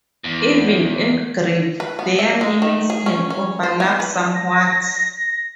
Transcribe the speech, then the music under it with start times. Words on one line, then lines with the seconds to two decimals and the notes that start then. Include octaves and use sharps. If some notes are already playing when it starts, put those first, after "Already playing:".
Even in Greek, their meanings can overlap somewhat.
0.24 E2
1.80 B4
1.99 B3
2.19 E5
2.41 G#3
2.62 D#3
2.90 G#4
3.06 C#4
3.30 C#4
3.63 C5
3.80 B3
4.00 B4
4.35 A#6